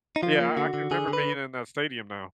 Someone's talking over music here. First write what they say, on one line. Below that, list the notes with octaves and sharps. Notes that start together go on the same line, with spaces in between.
Yeah, I I can remember being in that stadium now.
D#4
F3 F4
A#3
D3 F#4
D3
D3 G#4
D3
B4